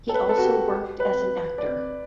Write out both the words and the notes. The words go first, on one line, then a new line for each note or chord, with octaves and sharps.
He also worked as an actor.
A4
B4
A4
F#4
G4
B4
D5